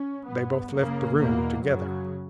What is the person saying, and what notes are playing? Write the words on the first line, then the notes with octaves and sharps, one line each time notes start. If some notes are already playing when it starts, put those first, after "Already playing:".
They both left the room together.
Already playing: C#4
G2 B3
F#2 C#3 A#3
E2 B2 A#3
F#2 C#3 F#3